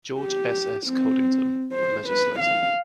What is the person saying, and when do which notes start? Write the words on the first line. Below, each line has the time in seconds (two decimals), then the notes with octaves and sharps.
George S. S. Codington, legislator.
0.20 G4
0.87 C4
1.72 C5
2.09 B4
2.40 F5